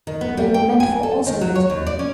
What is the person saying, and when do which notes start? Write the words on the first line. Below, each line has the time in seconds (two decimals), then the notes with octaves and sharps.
But they were meant for Oswald.
0.07 D#3
0.21 B3
0.37 G3
0.54 G5
0.80 G#5
1.03 A4
1.26 D#3
1.41 F#3
1.55 C#5
1.70 D#2
1.86 D5
1.99 C#4